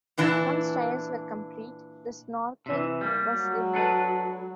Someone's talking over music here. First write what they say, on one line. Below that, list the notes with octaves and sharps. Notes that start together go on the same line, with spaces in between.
Once trials were complete the Snorkel was removed.
A#2 E3 D4 E4
C3 E3
G3 A#3
F#3
D4 A4 B4